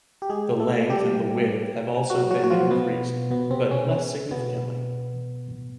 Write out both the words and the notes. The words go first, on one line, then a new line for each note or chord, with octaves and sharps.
The length and the width have also been increased, but less significantly.
G4
G#3 G#4
A3 A4
G3 G4
F#3 F#4
F#3 F#4
F#4
F3 F4
B2 B3
B2 B3
C3 C4
C#3 C#4
C#3 C#4
B2 B3